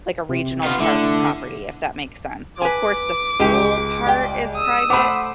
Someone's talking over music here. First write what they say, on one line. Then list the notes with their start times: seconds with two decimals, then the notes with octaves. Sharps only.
like, a regional park property, if that makes sense. So, of course, the school part is private,
0.29 C3
0.64 B3 F4
0.80 D3 A3 E4
2.62 B4 G#5 D6
3.40 C#2 G#3 G4
4.07 G3 G5
4.55 D#6 E6
4.90 A3 C5 F#5 B5 D6